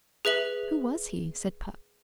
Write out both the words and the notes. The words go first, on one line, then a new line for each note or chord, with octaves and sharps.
'Who was he?' said Puck.
G#4 B4 E5 F#7